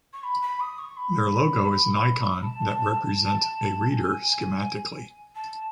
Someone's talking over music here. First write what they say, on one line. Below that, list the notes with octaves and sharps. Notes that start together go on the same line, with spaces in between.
Their logo is an icon that represent a reader schematically.
C#6
B5
B5
D#6
C#6
B5
A5
G#5
A5